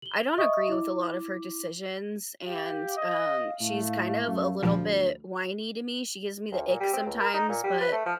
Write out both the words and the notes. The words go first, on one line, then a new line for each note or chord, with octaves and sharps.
I don't agree with a lot of her decisions, and, um, she's kind of a little bit whiny to me. She gives me the ick sometimes, but,
F#7 G7
D#5 E5 C#6 D#6
E4 D6
G4 F5
D#5
A2 A3
F#2
D2 A#2 F3 G3
D2
A#2
G3
C4
C#2
A#4
D#4
A#2
G3
B4
A3
F3